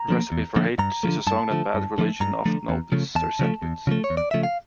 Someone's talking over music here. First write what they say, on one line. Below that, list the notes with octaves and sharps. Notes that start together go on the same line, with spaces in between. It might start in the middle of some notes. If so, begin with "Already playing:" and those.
"Recipe for Hate" is a song that Bad Religion often opens their set with.
Already playing: A#5
D3 F3 A#3
E2
D3 F3 A#3
G2 A#5
D3 F3 A3
G2 A5
D3 F3 A3
G2
D3 F3 A3
G2 A#5
D3 F3 A3
E2
C#3 F3 A3
E2 A5
C#3 F3 A3
E2
C#3 F3 A3
C#5
E2
D5
C#3 F3 A3 E5
F5